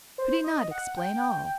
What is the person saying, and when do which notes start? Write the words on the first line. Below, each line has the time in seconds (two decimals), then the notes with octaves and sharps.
Could he not explain all?
0.18 C5
0.44 D#5
0.71 F#5
0.97 G5